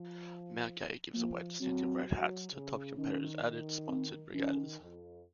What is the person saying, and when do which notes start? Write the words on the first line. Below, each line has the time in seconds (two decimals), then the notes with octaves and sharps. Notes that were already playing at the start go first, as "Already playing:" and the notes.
Mount Gay gives away distinctive red hats to top competitors at its sponsored regattas.
Already playing: F3
1.14 F3 A#3
1.59 F#3 C4
2.05 F#3
2.51 C#3
2.97 D#3 C#4
3.42 D#3
3.88 C4
4.34 D#3 C#4
4.80 F2